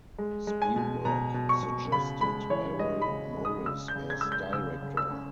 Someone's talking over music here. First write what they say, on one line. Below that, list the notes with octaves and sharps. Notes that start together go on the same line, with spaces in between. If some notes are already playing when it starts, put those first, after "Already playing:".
Spielberg suggested Errol Morris as director.
G#3
G#3
G#5
B2
B2 A#5
B2
C#6
B2
C#3 B5
G#3 B5
E3 C#5
G#3 D#5
B5
C#3
G#3
D#6
C#3 E6
G6
C#3
G#6
G#3 E6
G6
C#3 E6
C#3
E6
C#4